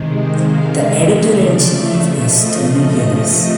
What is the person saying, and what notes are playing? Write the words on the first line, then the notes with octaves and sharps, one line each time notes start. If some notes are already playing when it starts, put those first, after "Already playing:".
The editor-in-chief is Tony Gillies.
Already playing: C3 D#3 G#3
C5
F5
E5
E5
C#3 F3 A3 D5
E5
D#5
C3 F3 A3